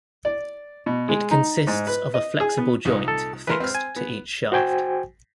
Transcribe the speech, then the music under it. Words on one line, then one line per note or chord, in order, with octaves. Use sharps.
It consists of a flexible joint fixed to each shaft.
D5
B2
G#3
D#4
G#2
B4
D#5
G#4
B3
C2 A#2 D#4
A4
E3 A#4 B4 C6
C4 F6
G#5
B3
F#4 C5 G5 G#5